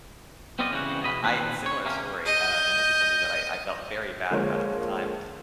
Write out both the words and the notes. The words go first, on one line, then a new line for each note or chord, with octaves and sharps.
Yeah. I similar story, uh, and this is something that I I felt very bad about at the time.
C2 B3 C4 F4 D5 D#5
C#3 E3 G3 F#4
E2 B2 D#5 B5
D#2 A#2 C4 B4
C#5
C3 A#3 C#4
D#5 G6
D3 F3 G#3 A#3 C5 C#5